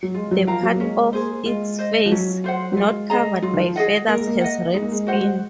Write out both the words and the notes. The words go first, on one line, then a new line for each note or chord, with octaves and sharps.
The part of its face not covered by feathers has red skin.
F#3
G#3 F4
F#3
F3 A#4 F5 A#5
F#3
A#3
G#3 C#4
A#3 G#4 C5
G#3 F4
C5 D#5
F3
F#3 C#4
F4 C5 F#5
F#3
G#3 F4
G#4 D#5 A#5
F#3 F4
D#3
F3
G#4 D#5 F#5
A#3 A#4
G#3
A#3
D#5 F#5
G#3 D#4
A#3
G#3
F#4 C5 F#5